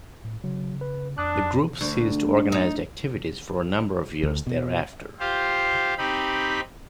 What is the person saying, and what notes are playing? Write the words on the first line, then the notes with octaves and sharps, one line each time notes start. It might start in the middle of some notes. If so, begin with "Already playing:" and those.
The group ceased organised activities for a number of years thereafter.
A2
C#3 F#3
B4
F2 D4 A5 D#6 F#6
D2
D#4
D2
B2
F4 G4 C5 F5
C4 D#4 G4 B5